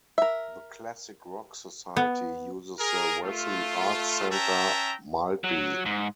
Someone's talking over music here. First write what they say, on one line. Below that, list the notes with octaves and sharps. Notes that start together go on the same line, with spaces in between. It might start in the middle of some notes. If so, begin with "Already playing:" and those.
The Classic Rock Society uses the Wesley Arts Centre, Maltby.
A#4 E5
B3
G#4 A#4
A3 F4
C#4 E5 G5 A5 A#5
F#3
G#2